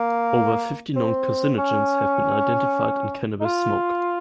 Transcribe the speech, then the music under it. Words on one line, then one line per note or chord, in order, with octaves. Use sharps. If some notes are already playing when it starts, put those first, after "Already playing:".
Over fifty known carcinogens have been identified in cannabis smoke.
Already playing: A#3
C4
C#4
D#4
F4